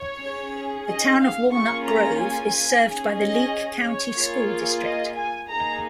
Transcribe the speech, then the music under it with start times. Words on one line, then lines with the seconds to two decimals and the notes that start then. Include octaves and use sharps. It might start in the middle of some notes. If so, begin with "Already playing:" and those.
The Town of Walnut Grove is served by the Leake County School District.
Already playing: C#5
0.21 C#4 G#4
0.88 D#5
1.21 F5
1.53 A#3 C#4 F4 G#4 C#6
1.87 A#5
2.19 G#5
2.85 C#4 G#4
3.18 D#5
3.85 C#5
4.17 A#3 F4 G#4
4.83 D#5
5.16 G#5
5.49 A#3 D#4 G#4 A#5